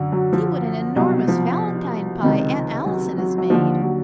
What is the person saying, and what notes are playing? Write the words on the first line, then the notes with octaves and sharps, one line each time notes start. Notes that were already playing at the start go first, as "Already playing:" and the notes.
"See what an enormous valentine pie Aunt Allison has made!"
Already playing: F#2 D3
F#3
F3
C2 B2 F#3
F3
C#2 C3 D#3
F#3
F#3
F#3
D#2 D3 F3
F#3